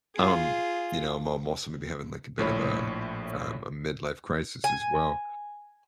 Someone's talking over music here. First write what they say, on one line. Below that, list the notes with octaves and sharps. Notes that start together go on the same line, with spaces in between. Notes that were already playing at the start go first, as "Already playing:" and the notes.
um, you know, I'm I'm also gonna be having, like, a bit of a, um, a midlife crisis as well,
F4 G#4
A#1 A2 C#5 B5
G#5